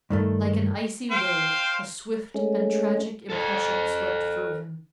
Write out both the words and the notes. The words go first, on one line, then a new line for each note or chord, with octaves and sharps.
Like an icy wave, a swift and tragic impression swept through him.
G2 D#3 A3
C5 F5 G5
G#3 A3 C#4
A4 C5